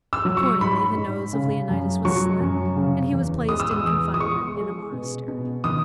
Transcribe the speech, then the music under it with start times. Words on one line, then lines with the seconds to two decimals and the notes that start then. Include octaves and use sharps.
Accordingly the nose of Leontius was slit, and he was placed in confinement in a monastery.
0.13 E6
0.25 F#3
0.37 C#6
0.61 G#2 B5
0.97 G#2
1.33 C#3
1.69 F#2
2.05 F#3 C#6
2.41 F#2
2.76 C#3
3.13 E2
3.48 G#3 D#6
3.60 E6
3.71 D#6
3.84 E2
4.14 D#6
4.20 G#3 C#6
4.57 G#3
4.92 B2
5.28 B2
5.64 D#3 D#6